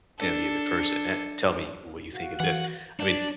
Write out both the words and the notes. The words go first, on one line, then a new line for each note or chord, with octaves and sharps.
than the other person an tell me what you think of this. I mean,
D4 A4
F#4 F5
E3 F#5
D4